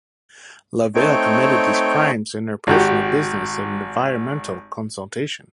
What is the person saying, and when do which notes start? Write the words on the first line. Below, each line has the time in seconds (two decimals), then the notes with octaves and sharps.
Lavelle committed these crimes in her personal business of environmental consultation.
0.95 A3 C4 D#4 C#5 G5
2.67 G#1 F#4 G4